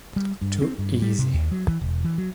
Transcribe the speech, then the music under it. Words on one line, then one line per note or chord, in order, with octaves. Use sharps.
Too easy.
G3
G2
C4
G2
G3
C3
D#2
F#3
E3
E1
E3
F#3